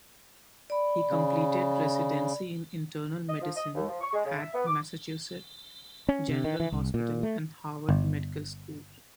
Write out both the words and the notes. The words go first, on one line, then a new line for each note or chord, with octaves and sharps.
He completed residency in internal medicine at Massachusetts General Hospital and Harvard Medical School.
D5 B5
C#3
D#5
F3
D#5
D#2
F3
C#6
G#3
C#3
E5
B3
D6
C#4
C3
D#3
E3
C2
A#2
A3
G1